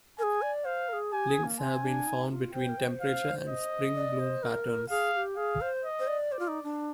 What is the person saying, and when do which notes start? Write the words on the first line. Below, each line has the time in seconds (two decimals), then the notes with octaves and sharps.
Links have been found between temperature and spring bloom patterns.
0.19 G#4 A#4 G#5
0.42 D5
0.65 C5 F5
0.89 A#4
0.93 G#4
1.13 G4 G#5
1.29 G#4
1.44 A#3
1.59 C4 G#5
1.84 D4
2.07 D#4
2.31 F4
2.54 C5 G5
2.69 A#4
2.78 C5
3.01 F5
3.49 D#5
3.96 D5
4.19 C5
4.43 A#4
4.90 G#4 F5
5.13 G#4
5.17 G4
5.37 G#4 F5
5.61 C5
5.85 D#5
5.99 C5
6.08 D5
6.31 C5 D5
6.39 F4
6.48 D#4
6.64 D4